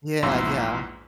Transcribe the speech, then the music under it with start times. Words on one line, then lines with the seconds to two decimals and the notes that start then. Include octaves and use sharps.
Yeah, yeah.
0.22 A#1 E2 G#2 E4 C6 E6